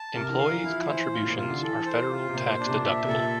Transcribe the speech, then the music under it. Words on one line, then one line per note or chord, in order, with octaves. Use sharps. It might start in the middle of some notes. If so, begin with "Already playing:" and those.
Employees' contributions are federal tax-deductible.
Already playing: A5
C3 A#4
E3
D3
F5
E3
E4
F3
E3 C5
A2 F4
A#2
C3 F4
D3
E3 A4
C5
F4
C3
A#2 C5
D4
C3
A#2
E5
C3
A#2 A4